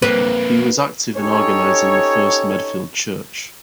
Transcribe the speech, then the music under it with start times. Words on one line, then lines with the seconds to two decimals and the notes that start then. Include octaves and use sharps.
He was active in organizing the first Medfield church.
0.02 A#3 C4 B4
1.16 C#4 D#4 G4 A4 C#5